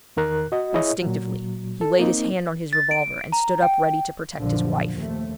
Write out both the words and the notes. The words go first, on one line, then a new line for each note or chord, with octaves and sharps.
Instinctively he laid his hand on his revolver, and stood up ready to protect his wife.
E2 D#3 A#4 F#6
F#4 D#5
E4 G#4 C#5 D#5
A#2 F#3
A4
A#3 C4 D#4
A6
D7
A#5
G5
A#1 F#2 A#2 D3 F3
D#2 C3 A3